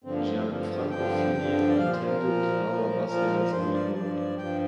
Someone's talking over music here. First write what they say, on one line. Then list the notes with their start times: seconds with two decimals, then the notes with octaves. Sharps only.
Gianfranco Fini attended "Laura Bassi" high school in Bologna.
0.04 G2 D3 F3 C4
0.15 A#3
0.26 C4
0.36 C4
0.47 G2 D3 F3 A#3
0.59 C4
0.69 F4
0.80 G4
0.90 G2 D3 F3 G5
1.34 G2 D3 F3
1.68 D5
1.77 A#2 F3 F5
1.92 C5
2.06 A#4
2.21 A#2 F3
2.64 A#2 F3
3.07 A#2 F3 A#4
3.39 A#4
3.51 G2 F3 C5
3.73 D5
3.94 G2 F3 D5
4.15 D5
4.38 G2 F3 G5